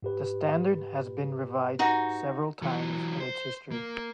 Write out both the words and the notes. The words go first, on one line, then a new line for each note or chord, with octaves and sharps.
The standard has been revised several times in its history.
G#2 G4 B4
D#4 F#4
E3 F#3
C5
A#3